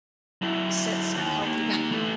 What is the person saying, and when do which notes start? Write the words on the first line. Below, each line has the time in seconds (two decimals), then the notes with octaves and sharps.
set some healthy boun
0.42 F#3 E4
1.15 D#2
1.42 D#3 A#3
1.91 E3 A3